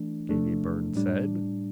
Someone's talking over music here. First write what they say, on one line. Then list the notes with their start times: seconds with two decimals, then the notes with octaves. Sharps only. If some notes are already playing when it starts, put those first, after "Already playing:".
Davy Byrne said...
Already playing: E3 A3 D4
0.29 C3 F3 A3 D4
0.95 A2 G3 D4